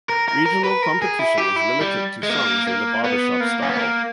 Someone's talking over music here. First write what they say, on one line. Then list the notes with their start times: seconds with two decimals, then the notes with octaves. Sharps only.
Regional competition is limited to songs in the barbershop style.
0.09 A#4
0.28 A#4
0.46 A#4
0.64 B4
0.82 A#4
1.02 G#4
1.19 E4
1.38 G4
1.56 E4
1.81 G3
2.23 G#3
2.30 A#3
2.67 A#3
3.04 B3
3.40 A#3
3.62 C#4
3.70 B3
3.77 A#3